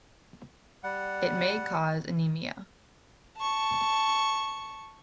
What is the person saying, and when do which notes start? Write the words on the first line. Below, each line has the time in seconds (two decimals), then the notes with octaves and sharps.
It may cause anemia.
0.84 G3 F#5
3.37 A5 C#6